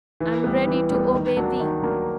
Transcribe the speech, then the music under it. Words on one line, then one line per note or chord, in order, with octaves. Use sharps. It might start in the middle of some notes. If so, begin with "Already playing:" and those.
I am ready to obey thee.
E3
G3 B3
E3
G3 B3
D#3
F#3 A#3 D4
D#3
F#3 A#3 D4